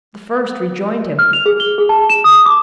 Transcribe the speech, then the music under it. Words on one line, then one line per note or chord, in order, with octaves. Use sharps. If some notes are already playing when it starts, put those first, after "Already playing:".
The first rejoined him.
F6
F7
G#4
G7
G#4
A5
E7
D#6
D6